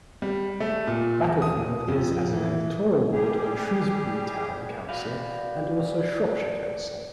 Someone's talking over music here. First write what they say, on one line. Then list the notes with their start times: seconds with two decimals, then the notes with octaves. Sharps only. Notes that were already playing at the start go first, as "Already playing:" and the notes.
Battlefield is as an electoral ward of Shrewsbury Town Council and also Shropshire Council.
0.22 G3
0.60 A3
0.87 A#2
1.25 E2
1.42 D#6
1.88 F2
2.33 E3
3.13 G3 G4 G#4
4.89 F#4 B4 D5 F5